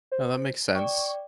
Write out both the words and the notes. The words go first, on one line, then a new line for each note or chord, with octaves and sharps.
No, that makes sense.
C5
D5 G5 C#6